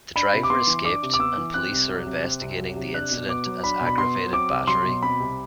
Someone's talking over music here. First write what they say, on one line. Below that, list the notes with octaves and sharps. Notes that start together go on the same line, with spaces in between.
The driver escaped, and police are investigating the incident as aggravated battery.
D4 B5
C3
D6
B3 C6
E3
D4 D6
C3
D6
B3 E6
E3
C4 F#6
C2
F#3
C3
C4
C2
F#3
C3
D4 F#6
B2
B3 D6
F#3
D4 B5
B2
B5
B3 C6
F#3
C4 D6
C2
F#3 C6
B2
C4 B5
C2